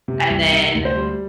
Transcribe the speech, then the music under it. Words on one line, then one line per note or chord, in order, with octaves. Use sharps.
And then,
C3
G5
C2
C3 E5
D2
C5
G3